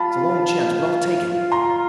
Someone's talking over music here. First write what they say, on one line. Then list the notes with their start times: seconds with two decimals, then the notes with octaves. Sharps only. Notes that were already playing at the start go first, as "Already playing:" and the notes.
"It's a long chance, but I'll take it."
Already playing: F4 A5 B5
1.52 A#5 C6